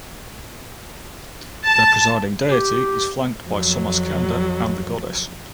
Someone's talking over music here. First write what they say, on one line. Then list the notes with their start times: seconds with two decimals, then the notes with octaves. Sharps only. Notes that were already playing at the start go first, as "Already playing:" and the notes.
The presiding deity is flanked by Somaskanda and the Goddess.
1.64 A5
2.51 G4
3.47 F2 F#3